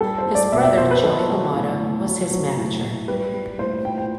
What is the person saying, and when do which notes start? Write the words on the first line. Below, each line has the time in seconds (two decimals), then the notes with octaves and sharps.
His brother Joey LaMotta was his manager.
0.01 G3 A4
0.18 C5
0.26 G3
0.35 D5
0.52 B2 E5
0.65 E5
0.77 B2 C5
0.91 B4
1.03 F#3 A4
1.29 F#3
1.54 A2
1.80 A2
2.06 F#3
2.31 F#3
2.57 A2
2.83 A2
3.08 G3 B4
3.33 G3
3.59 A2 C5
3.84 A2 G5
3.98 G5